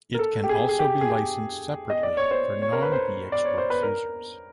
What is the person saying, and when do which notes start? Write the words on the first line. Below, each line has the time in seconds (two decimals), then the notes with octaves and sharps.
It can also be licensed separately for non-VxWorks users.
0.14 A#4
0.19 A4
0.44 G4
0.49 G#4
0.69 G#4
0.79 G4
1.01 G#4
1.10 G4
1.90 D#5
2.03 D5
2.17 C#5
2.31 C5
2.62 C#5
2.72 A#4
2.82 B4
2.92 C5
3.32 D5
3.45 C#5
3.58 C5
3.70 B4
3.83 A#4